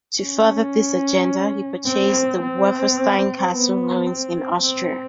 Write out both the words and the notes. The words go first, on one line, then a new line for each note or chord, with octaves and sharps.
To further this agenda, he purchased the Werfenstein castle ruins in Austria.
C#4
C4
C4
B3
C4
C4